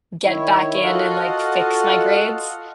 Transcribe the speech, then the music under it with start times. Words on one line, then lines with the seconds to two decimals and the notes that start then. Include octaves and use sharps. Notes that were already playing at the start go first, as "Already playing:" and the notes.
get back in and, like, fix my grades
0.24 D#3 E4 C#5
0.82 F4 F#4 A4 D#5 F5 F#5